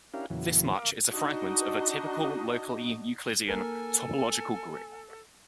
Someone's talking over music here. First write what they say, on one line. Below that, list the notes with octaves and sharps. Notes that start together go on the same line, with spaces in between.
This much is a fragment of a typical locally Euclidean topological group.
C#4 D4 E4 G4 A#4 F5
E2 A#2 C#3 E3 F#3
A#4 F5 D6
D4 D#4 F#4 D#5
A#3 D#4 A4 A#4 G#5